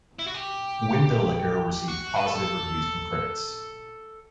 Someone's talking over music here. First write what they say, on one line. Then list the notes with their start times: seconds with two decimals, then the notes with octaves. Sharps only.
"Windowlicker" received positive reviews from critics.
0.19 E4
0.27 F#4
0.34 G4
1.88 F#4
2.16 B4
2.26 A4